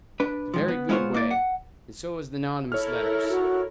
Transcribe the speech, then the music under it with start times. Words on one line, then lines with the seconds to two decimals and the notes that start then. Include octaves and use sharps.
It's a very good way, and so is the nonnamous letters.
0.20 D4 B4
0.54 G#2 D#3 F3
0.68 B3
0.89 G#3 B3 E4 F4 C5 C#5
1.15 A#3 E4 D5
1.31 F#5
2.72 E4 A4 A#4 C#5 F6
3.29 F#4